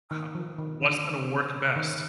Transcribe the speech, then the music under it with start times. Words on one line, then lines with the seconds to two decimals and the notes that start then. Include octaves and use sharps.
How what's gonna work best?
0.11 D#3
0.35 F3
0.58 D#3
0.81 D3
1.76 D#3